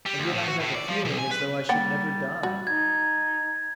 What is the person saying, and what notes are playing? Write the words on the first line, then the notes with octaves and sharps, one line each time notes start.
And yet I have a feeling as though I should never die.
G3
D2
A2
F#4
A2
D5
F3
B1
G#5
B4
G3 A#3 F#5 G5 A6
G3 F#4
D#4 G#6